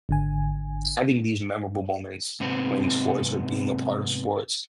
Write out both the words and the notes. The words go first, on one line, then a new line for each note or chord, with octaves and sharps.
having these memorable moments playing sports or being a part of sports,
G#1 D3 G#5
G#2 C3 B3 C4